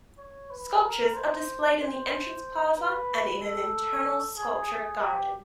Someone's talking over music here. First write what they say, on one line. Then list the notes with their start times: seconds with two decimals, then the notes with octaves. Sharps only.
Sculptures are displayed in the entrance plaza and in an internal sculpture garden.
0.18 C#5
0.50 B4
0.82 A#4
1.14 C5
1.79 C5
2.75 B4
3.40 A4
4.37 G#4
4.69 G#4
5.01 G4